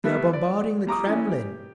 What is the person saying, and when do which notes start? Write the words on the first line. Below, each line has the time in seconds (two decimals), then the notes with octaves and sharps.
"They are bombarding the Kremlin!"
0.04 G3 A3 B3 A4 B4 E5
0.33 D5
0.87 G3 A#5 D6 D#6
1.07 E3 C#4
1.29 G4